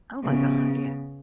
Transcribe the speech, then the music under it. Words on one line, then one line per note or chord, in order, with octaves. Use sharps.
Oh my god, yes.
C#3 B3